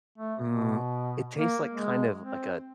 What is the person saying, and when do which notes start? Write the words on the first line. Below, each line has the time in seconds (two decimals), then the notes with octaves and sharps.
mm, it tastes like, kind of, like a
0.18 A3
0.46 B2
1.36 A#3
1.72 G#3
2.22 C4